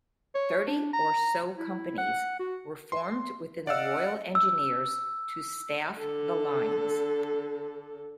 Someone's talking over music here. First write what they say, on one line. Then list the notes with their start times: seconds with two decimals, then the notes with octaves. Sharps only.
Thirty or so Companies were formed within the Royal Engineers to staff the lines.
0.35 C#5
0.67 D4
0.93 A#5
1.57 E4
1.98 F#5
2.39 F#4
2.92 C6
3.67 D5 D#5 F5 F#5 E6
4.35 E6
5.98 D3 A4